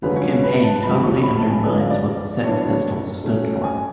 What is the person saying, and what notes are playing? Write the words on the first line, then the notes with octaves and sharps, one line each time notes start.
This campaign totally undermines what The Sex Pistols stood for.
F#2 D3 F3 G#3 C#4 B4
C#5
C#5
B4
A5
F2 C#3 F#3 B5
C#6
B5
A5
G#5
A4
F#2 D3 G#3 D4 B4
F5
D5
D5
A2 F#3 B3 D4 C#5
B2 A3 C#4
G#5